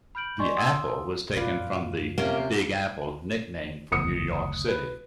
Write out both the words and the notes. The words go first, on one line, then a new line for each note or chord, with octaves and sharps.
The apple was taken from the "Big Apple" nickname for New York City.
B5 F6 G6 D7 F#7
D5 D#5 G#5 C6 C#6
C6 D#6 E6
F#2 A#2 F4 B4 D5
C3 A#3 C#4
F#1 D2 D#6 C#7
B4